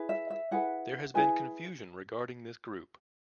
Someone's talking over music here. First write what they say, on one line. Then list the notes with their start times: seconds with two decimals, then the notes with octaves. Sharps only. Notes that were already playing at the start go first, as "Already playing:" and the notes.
There has been confusion regarding this group.
Already playing: E4 G#4 B4
0.09 E5
0.30 E5
0.51 E4 G#4 B4 F#5
1.14 E4 G#4 B4 G#5